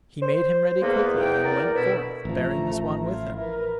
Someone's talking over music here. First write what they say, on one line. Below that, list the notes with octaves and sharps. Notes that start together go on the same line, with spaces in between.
He made him ready quickly, and went forth, bearing the swan with him.
C5
E2 A#3 B3
F#5 G5
A#4 D5
D2 B2 B3 E4
A1 F3 A3 A#5
E4 F4
A#4 B4